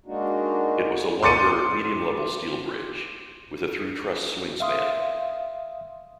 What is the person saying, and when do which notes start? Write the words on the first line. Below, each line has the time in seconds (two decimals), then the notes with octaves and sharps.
It was a longer, medium-level steel bridge with a through truss swing span.
0.06 G#3 A#3 D4 D#4 F#4
1.22 C6 D6 A6 C#7 D#7
4.60 E5 F5 C6 D#6